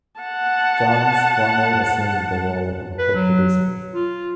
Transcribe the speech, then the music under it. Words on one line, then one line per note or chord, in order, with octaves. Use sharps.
Johns formally assumed the role of a co-producer.
F#5 A5
B4
F#3
F4